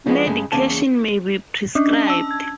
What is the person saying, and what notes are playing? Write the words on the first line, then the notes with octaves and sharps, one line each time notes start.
Medication may be prescribed.
C#3 F3 G#3 B3
G2 C#3 G#3
E2 C#3 A#3 C#4 A5
C#4 D4
A5 E6
G#6